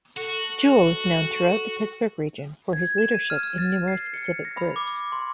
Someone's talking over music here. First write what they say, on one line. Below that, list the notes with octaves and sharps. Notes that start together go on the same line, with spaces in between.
Jewell is known throughout the Pittsburgh region for his leadership in numerous civic groups.
F#4 A4
G#6
E7
D#7
F6
F6
A6
C7
C#7
A#6
B5
D6
C6